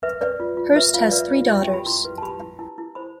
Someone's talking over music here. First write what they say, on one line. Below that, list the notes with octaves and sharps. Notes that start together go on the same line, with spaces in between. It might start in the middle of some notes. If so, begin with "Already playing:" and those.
Hirst has three daughters.
B4 E5
B4 D5
F4
F4
B4 E5
F4 F5
E5
B4 D5
E5
F4
G4 E5
G5
G4
B5
E4 C6
B4
A5
G4 B5
E4
E4 A5
E4
C5 B5